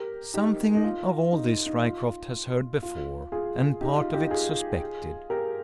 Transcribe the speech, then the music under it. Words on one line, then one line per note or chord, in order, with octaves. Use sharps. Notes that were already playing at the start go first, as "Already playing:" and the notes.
Something of all this Ryecroft has heard before, and part of it suspected.
Already playing: G4 A#4
D#4 G4
D#4
F4
D#4
D#4
F4
F4
F4 G#4
D#4 G4
F4
D#4 G4
F4 G#4
G4 A#4